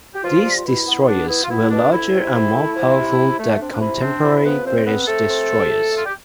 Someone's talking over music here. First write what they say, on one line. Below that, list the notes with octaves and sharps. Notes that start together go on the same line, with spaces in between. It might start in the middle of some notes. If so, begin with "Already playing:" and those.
These destroyers were larger and more powerful than contemporary British destroyers.
G4
B2 F3 F4
G3
F4
B2 E4
B3
B3 D4
B3 E4
F4
B3 E4
B2 D4
D2 E4
C3
C3
A3
F3
C3
C3
A3
C4 D4
D4
C3 E4
C4 D4
C3 E4
F3 B3 B4
C2 C4 C5
B3 C4 B4
A3 C4 A4
C4
F2
A3
A3 F4
G4